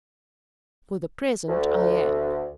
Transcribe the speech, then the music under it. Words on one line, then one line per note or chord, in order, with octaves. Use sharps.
"For the present I am."
D2